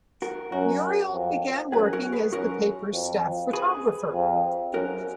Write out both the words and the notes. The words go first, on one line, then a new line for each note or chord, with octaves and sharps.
Muriel began working as the paper's staff photographer.
F#4 A#4
F#2 F#4 A#4
F2
F#2 G#4 B4
F#4 A#4
G#4 B4
F#2 F#4 A#4
F2
G#4 B4
F2
F#2 F#4 A#4